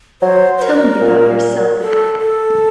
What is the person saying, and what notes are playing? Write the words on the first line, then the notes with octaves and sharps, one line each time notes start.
Tell me about yourself.
F#3 C5
C5
A#4
A#2
A4
A4